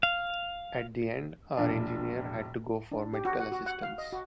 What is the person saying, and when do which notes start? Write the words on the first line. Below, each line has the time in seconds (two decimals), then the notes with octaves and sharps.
At the end, our engineer had to go for medical assistance.
0.03 F5
1.57 E1 A#1 D4
2.92 D4
3.13 G4
3.25 F#4
3.40 F#5
3.52 F#4
3.66 F#5
3.82 F5
3.98 D#5
4.13 F#4